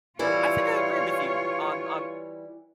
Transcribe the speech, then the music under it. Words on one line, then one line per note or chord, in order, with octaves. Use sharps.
I think I agree with you on on
E3 G3 E4 F4 C#5